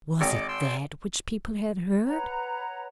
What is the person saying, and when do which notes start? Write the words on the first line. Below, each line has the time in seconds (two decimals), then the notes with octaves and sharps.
Was it that which people had heard?
0.21 G#1 D5 D#5 D6
0.48 G5 C6 E6
2.05 B4 C#5 F#5 A#5